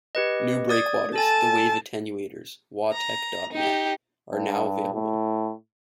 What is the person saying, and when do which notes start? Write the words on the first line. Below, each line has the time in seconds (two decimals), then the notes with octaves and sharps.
New breakwaters, the wave attenuators - wawtech dot net - are now available.
0.15 G4 B4 D#5
0.69 D5 D#6 G#6
1.16 A4 G#5 A5 A6
2.93 A#5
3.53 D#4 G4
4.32 G2
4.94 A2